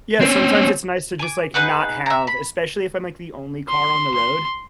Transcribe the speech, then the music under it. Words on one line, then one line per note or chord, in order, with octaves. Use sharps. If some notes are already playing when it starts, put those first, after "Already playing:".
Yeah, sometimes it's nice to just, like, not have especially if I'm, like, the only car on the road.
C4 C#4
G#5 D6
D#4 G#4 B4 F#5
E5 A#5
B5
C6
C6